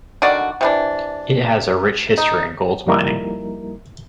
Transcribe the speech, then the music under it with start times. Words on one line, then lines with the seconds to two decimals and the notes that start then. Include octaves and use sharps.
It has a rich history in gold mining.
0.22 D3 D#3 F#4 D5
0.61 C3 E3 D4
2.18 D#4
2.87 F2 G3 A#3 D#4 E4 A#4